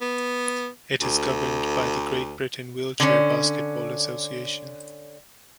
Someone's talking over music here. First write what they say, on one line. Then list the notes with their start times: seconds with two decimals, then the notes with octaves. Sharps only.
It is governed by the Great Britain Wheelchair Basketball Association.
0.01 B3
1.01 D2
3.00 D3 C#4